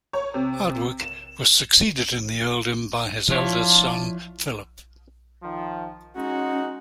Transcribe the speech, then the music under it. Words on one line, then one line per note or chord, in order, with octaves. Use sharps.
Hardwicke was succeeded in the earldom by his eldest son, Philip.
C#5
C3
E7
F3 D4 E4 F4 C#5
D#3 F3
G#3 C#4 D#4 F#4